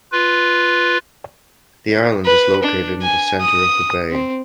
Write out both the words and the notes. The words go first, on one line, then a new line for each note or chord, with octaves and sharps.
The island is located in the center of the bay.
F4 B4
B4
D4
G#5
D#6
C4